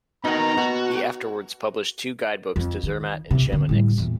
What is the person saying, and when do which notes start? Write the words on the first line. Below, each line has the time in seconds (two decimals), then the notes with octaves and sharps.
He afterwards published two guide books to Zermatt and Chamonix.
0.24 B2 D#4 A#4 F#5 A#5
0.57 B2 F#4
2.56 F2
2.83 D#3
3.31 B1 C3
3.52 D3 C4
3.69 A2 G3
3.98 E2 A#2